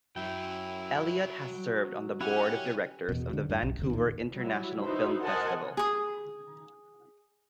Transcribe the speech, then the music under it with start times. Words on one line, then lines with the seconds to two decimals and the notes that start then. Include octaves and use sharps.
Elliott has served on the board of directors of the Vancouver International Film Festival.
0.16 F#2 F#3 E4 G5
2.21 C#4 E4 G4 F#5 G#5
3.09 E2 B2
3.33 D3
3.50 G2
3.63 B1
3.79 E1 D2 B2 D3
3.91 A#2 D#3
4.34 F#3 G3 E4
4.83 D#4 E4 F#4 B4 C5
5.23 A#4 C5 D#5 F#5 G#5 A5
5.77 G#4 D#6